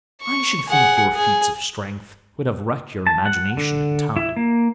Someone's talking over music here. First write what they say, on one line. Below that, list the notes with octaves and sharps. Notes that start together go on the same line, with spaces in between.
"I should think your feats of strength would have wrecked your imagination in time."
C#6
G#4 F#5
G#4
A5
F#5
D3
E4
A#3